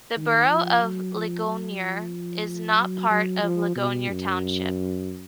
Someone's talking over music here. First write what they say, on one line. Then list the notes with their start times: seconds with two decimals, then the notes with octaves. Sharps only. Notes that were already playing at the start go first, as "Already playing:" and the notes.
The Borough of Ligonier is not part of Ligonier Township.
0.17 D#3
0.49 F3
0.81 F#3
1.15 F3
1.47 F#3
1.80 F3
2.77 F#3
3.10 F#3
3.43 F3
3.76 B2
4.09 F#2